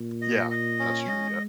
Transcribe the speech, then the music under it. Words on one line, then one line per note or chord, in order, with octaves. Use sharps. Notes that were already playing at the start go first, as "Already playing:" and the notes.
Yeah. That's true. Yeah.
Already playing: A#2
D#5
D#5
C#4
G#3 D#5